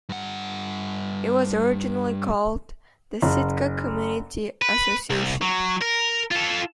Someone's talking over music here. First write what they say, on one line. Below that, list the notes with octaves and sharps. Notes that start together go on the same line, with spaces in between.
It was originally called the Sitka Community Association.
G2 F#5
F#1
B4
C2
F#3
A#4
F4 A4